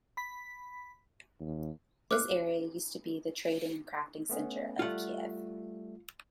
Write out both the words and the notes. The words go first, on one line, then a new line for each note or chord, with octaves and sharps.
This area used to be the trading and crafting center of Kiev.
B5 B6
D#2
D6 F6 F#6
A3 B3 C#4
G3 A3 F4 F#5